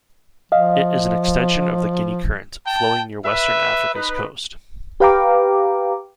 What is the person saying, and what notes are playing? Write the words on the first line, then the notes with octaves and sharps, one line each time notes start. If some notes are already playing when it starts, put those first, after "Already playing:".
It is an extension of the Guinea Current, flowing near western Africa's coast.
F3 D#5 F5
G5 A5
B4 E5
D#4 B4
G4 B4 F5 G5 A#5 D6